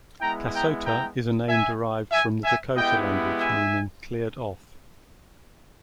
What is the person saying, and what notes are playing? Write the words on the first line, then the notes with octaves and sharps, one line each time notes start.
Kasota is a name derived from the Dakota language meaning "cleared off".
G#3 B3 E4 G5 A#5
G5 A#5
G5 A#5
E5 G#5
E5 G#5
E5 G#5
G#3 B3 E4 G4 D#5 G5
E5 G#5